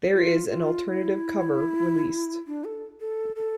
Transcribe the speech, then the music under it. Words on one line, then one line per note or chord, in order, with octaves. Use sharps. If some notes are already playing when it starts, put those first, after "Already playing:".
There is an alternative cover released.
F4
F4
F4
E4
D4
A4
A4
A4